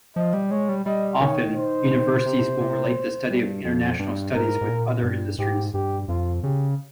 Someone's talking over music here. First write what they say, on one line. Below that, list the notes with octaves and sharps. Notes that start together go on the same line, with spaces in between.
Often, universities will relate the study of International studies with other industries.
F3 D#5
G3
G#3 C#5
G3
G3 D#5
D#3 C#5
C5
C3
C3
G2
F2
G2
G#2 A#4
G#2
A#2
G2
G#2 G4
G2 G4
F2 F4
C#3 G4